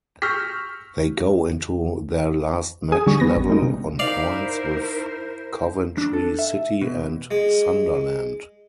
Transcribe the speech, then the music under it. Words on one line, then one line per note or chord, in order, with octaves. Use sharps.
They go into their last match level on points with Coventry City and Sunderland.
C#6 E6 F6 G6 A#6 B6
G#4 G#5 D#6
D3 G3 C#6
B3 A#6
A1
G3 G#3 D#4
C3
D#4 E4 A#4 C5 D5 F5
D4
A4
E5
B2
G#3 G#4